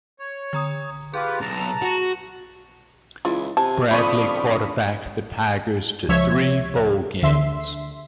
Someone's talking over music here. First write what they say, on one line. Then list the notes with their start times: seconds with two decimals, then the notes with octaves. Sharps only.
Bradley quarterbacked the Tigers to three bowl games.
0.19 C#5
0.53 D3 A#5 D#6
1.14 F4 G4 G#4 B4
1.41 B1 A5 A#5
1.82 F#4
3.25 C#2 E3 F4 E5
3.57 C3 G#5 A5
3.91 F2 D3 D4 F4 B5 C#6 D#6
6.09 C#2 F3 C#5 E5 G#6
7.22 D2 D3 E5 C6